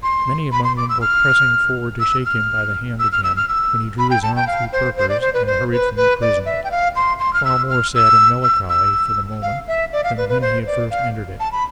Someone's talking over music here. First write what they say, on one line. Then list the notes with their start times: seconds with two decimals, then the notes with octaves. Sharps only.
Many among them were pressing forward to shake him by the hand again, when he drew his arm through Perker's, and hurried from the prison, far more sad and melancholy, for the moment, than when he had first entered it.
0.03 C6
0.52 B5
0.64 C6
0.77 D6
0.89 E6
1.02 F6
2.00 E6
2.26 F6
2.99 E6
3.12 F6
3.24 E6
3.37 F6
3.48 E6
3.99 B5
4.10 G5
4.23 A5
4.36 G5
4.47 F5
4.73 C5
4.97 C5
5.09 D5
5.21 C5
5.34 B4
5.47 C5
5.72 B4
5.97 B4
6.21 D5
6.46 E5
6.64 G5
6.71 F5
6.96 C6
7.19 C6
7.33 F6
7.45 E6
7.70 F6
7.95 E6
8.43 E6
8.69 E6
9.42 F5
9.68 E5
9.93 D5
10.04 F5
10.17 B4
10.29 B4
10.41 C5
10.67 D5
10.90 F5
11.40 A5
11.52 B5